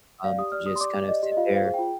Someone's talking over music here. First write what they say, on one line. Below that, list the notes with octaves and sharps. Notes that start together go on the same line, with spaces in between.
um, to just kind of sit there,
D5 F5
G4 D#6
D5 F6
G4 D#6
C6
D5 D6
G4
D5 D#5
G4
D#5
F4 F5
C5 F5
G#4
F4 G5